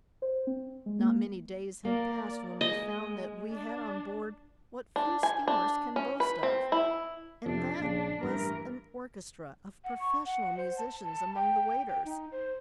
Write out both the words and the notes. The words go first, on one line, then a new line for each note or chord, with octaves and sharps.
Not many days had passed when we found that we had on board what few steamers can boast of, and that was an orchestra of professional musicians among the waiters.
C5
C4
G#3
A#3
A#3 A#4 D5
G#3 D#5
D4
D4
G#5
D4
C#4
B4
C4
E4
F2 C3 D4
A#1 C#3
A1 G2 E3 A#4
F#5
C#6
F#5
C5
A5
A5
G5
G5
D#4
C5